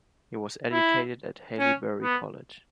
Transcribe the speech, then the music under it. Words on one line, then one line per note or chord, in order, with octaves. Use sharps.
He was educated at Haileybury College.
E4
C#4
B3